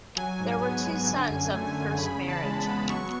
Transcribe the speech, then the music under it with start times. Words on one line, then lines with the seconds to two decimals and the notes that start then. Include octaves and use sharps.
There were two sons of the first marriage.
0.17 F#3 G#5
0.40 G#2
0.62 B3
0.86 G#2
1.08 D3
1.30 F#2
1.53 A3
1.77 F#2
1.98 C#3 B5
2.21 E2
2.28 A5
2.44 G#3
2.60 B5
2.66 B3
2.90 F#3 C#6